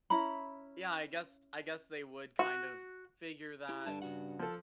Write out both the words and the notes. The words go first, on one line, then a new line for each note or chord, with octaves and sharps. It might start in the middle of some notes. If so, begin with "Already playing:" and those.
yeah, I guess I guess they would kind of figure that.
C#4 E4 A#5 B5
F#4
E4 G4
G2 D3 A5
C#3 F#4 F#5
F3 A4